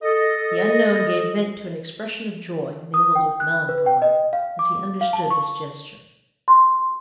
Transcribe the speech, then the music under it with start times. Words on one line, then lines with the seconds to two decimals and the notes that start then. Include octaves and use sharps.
The unknown gave vent to an expression of joy, mingled with melancholy, as he understood this gesture.
0.03 A4 D#5
2.94 D#6
3.15 G5
3.40 F#6
3.69 B4
3.86 G5
4.02 D#5
4.33 F5
4.59 D6
5.01 F5
5.13 A5
5.30 C#6
6.48 C6